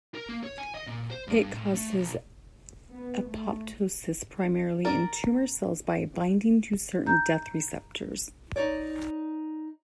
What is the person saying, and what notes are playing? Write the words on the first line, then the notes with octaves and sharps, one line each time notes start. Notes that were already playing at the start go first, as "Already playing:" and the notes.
It causes apoptosis primarily in tumor cells, by binding to certain death receptors.
A#4
A#3
C#5
G#5
D#5
A#2
C5
G2
A2
A3
B1
B3
A3
A#4 D5
A#5 G6
D#4 C#5 D5